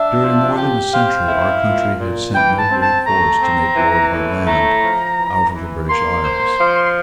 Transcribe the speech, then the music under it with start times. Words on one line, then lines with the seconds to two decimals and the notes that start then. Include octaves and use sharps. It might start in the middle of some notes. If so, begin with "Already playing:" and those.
During more than a century our country had sent no great force to make war by land out of the British isles.
Already playing: D4 E5
0.21 F3
0.58 G4
0.93 C4 F5
1.28 E4
1.64 A#2
1.99 A#2
2.34 E3 G5
2.58 A5
2.71 C4
2.82 A5
3.06 A3 A#5
3.41 C4
3.76 E3
4.12 A2
4.47 A3 A#5
4.83 F3
5.18 E3
5.54 E3
5.89 A#3 C6
6.24 C5
6.60 F3